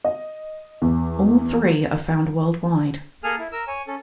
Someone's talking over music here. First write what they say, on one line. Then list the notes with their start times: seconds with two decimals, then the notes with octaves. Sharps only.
All three are found worldwide.
0.04 D#5
0.82 E2
3.24 A#3 G#4 A4 G#5 F6
3.39 E4
3.52 A#4 E6
3.68 C#5 G#5
3.87 C#4 A4